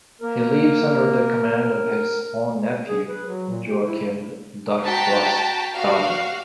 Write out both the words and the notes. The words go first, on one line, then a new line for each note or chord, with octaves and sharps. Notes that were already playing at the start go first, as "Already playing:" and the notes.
He leaves under the command of his own nephew, Joachim Darquistade.
A#3 A#4
G#4
B4
F#3
A#2
G4
E4
F#4 G5 A5 A#5 B6
F#4 G4 F5